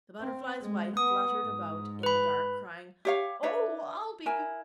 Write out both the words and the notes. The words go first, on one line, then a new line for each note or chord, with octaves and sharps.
The Butterfly's Wife fluttered about in the dark, crying, 'Oh, I'll be good!
C4
G#3
B3 D#6
G#2
B4 B5
G4 C#5 F5
D4 B4 C#5 E5
E4 A#4 G#5